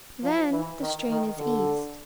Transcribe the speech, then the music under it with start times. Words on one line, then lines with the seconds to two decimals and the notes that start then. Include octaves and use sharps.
Then the strain is eased.
0.23 F3
0.51 E3
0.81 D#3
1.09 D#3
1.38 D3